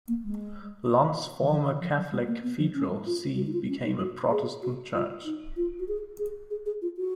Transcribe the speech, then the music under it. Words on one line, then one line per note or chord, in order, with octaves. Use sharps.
Lund's former Catholic cathedral see became a Protestant church.
A#3
G#3
D#3
F3
D#3
F3
F#3
G#3
A#3
B3
F3
C#4
F4
F#4
D#4
F4
C#4
D#4
F#4
G#4
F#4
F4
D#4
F4
F#4
G#4
G#4
G#4
G#4
F4
F#4